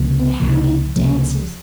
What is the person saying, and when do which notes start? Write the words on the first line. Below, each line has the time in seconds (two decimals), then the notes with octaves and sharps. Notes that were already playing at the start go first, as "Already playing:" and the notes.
And how he dances.
Already playing: C#2 C3 F3 A#3
0.40 C#2 C3 F3 A#3
0.96 C#2 C3 F3 A#3